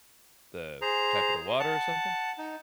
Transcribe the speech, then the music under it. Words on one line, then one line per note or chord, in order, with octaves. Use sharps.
the type of the water or something.
G#4 C5 A#5
F#5 A5
D#4